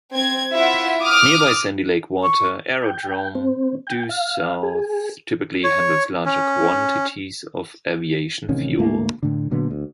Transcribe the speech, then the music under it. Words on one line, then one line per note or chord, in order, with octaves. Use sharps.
Nearby Sandy Lake Water Aerodrome, due south, typically handles larger quantities of aviation fuel.
C4 G#6
E4 F4 E5 F#5
D6 D#6 F6
C#6
G5
C4
G5
F5
G#4
C#5
C#4
A1 C3 D#3 C#4
D2 G#2 A3 A#3
A2 D3
A#2 D3 F#3 B3
D2